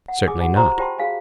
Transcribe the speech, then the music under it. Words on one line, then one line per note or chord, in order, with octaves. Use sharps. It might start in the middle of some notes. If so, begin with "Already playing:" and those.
Certainly not.
F#5
G#4 G#5 D6 D#6
F#4 F#5 G#5
F#4 G4 C5 A#5 C6
F4 G4 C5 G5 A5 C6
F#4 G#4 F5 G#5